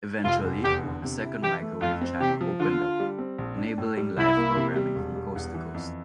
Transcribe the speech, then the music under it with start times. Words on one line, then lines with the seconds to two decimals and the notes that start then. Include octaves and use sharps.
Eventually, a second microwave channel opened up, enabling live programming from coast to coast.
0.24 F1 F4
0.44 F1
0.64 E2 G4
0.84 D3
1.03 C3
1.22 E4
1.42 E3 G4
1.62 A3
1.81 F2 F4
2.01 C4
2.20 C3 G4
2.41 F3
2.60 D3 F4
2.80 D3
3.00 G3
3.18 C4
3.38 A#1
3.58 D4
3.78 A2
3.97 G3
4.17 C2 E4
4.37 A#3
4.57 C3
4.76 G3
4.96 E1
5.15 G3
5.36 E2
5.54 E3
5.74 F2